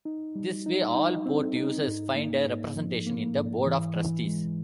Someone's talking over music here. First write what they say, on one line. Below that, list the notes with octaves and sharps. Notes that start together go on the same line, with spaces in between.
This way all port users find a representation in the Board of Trustees.
D#4
G3
D#4
D#4
C4
D#4
G#2
A#3
G#2
F3
A#3
G#2
E3
E3
G#3